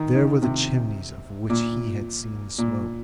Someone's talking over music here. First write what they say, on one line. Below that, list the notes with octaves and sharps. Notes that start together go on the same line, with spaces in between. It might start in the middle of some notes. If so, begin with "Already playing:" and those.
There were the chimneys of which he had seen the smoke.
Already playing: D#3
D#3
C3
A#2
A#2